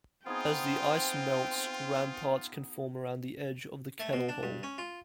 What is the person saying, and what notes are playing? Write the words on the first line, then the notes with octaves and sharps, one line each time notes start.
As the ice melts, ramparts can form around the edge of the kettle hole.
B3 C4 D#4 F4 G#4 G5
A3
B2
D4
G2
C#4
F4